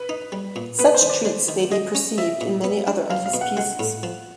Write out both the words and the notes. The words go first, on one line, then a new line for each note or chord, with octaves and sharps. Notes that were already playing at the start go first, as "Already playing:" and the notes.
Such treats may be perceived in many other of his pieces.
Already playing: B4
D#4
G3
A#2
B3 B4
C5
D#3
D5
G#3
D#3
G#3 D#5
C#4
F3 E5
A#2
B3
D4
F#3 F5
F5
B2
F#5
G#3 F#5
A2
F3